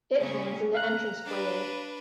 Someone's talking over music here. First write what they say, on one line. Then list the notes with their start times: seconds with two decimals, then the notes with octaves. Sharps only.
It hangs in the entrance foyer.
0.18 A#2 C#3 C#4
0.74 F5 A#5 F#6
1.25 D4 B4